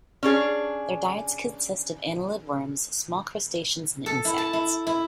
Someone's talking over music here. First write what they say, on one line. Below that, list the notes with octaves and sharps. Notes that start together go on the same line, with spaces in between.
Their diets consist of annelid worms, small crustaceans, and insects.
C#4 D4 G#4
A4
E4
A5
E4
E4